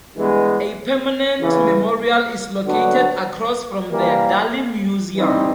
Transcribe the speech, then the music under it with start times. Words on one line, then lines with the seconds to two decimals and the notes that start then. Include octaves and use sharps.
A permanent memorial is located across from the Dali Museum.
0.16 G2 E3 G#3 B3
1.41 E2 C#3 E3
2.65 D3 F#3 B3 D4 F#4
3.90 E3 G3 A#3
5.16 G2 E3 G3 C4 D#4